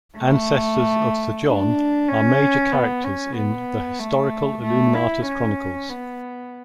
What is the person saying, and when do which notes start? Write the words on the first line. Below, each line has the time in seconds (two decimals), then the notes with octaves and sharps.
Ancestors of Sir John are major characters in The Historical Illuminatus Chronicles.
0.18 A3
1.45 D4
2.09 C#4
2.73 B3
3.04 C#4
3.36 B3
4.00 A3
4.63 A3
4.95 E4
5.26 C#4
5.90 B3